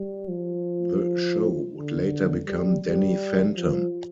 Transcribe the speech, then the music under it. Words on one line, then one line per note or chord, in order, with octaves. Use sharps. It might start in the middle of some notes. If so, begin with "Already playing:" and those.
The show would later become "Danny Phantom".
Already playing: G3
F3
D3
G3
G3
F3